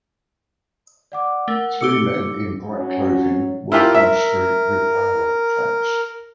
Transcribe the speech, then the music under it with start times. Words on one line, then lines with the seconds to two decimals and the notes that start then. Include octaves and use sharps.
Three men in bright clothing work on street with railroad tracks.
1.12 D5 F#5 D6
1.48 A3 A#4 F#5 G7
1.81 D#4 G4 A4 D6 E6 C#7
2.71 F#3 C#4
3.72 E4 F4 G4 A#4
3.94 E5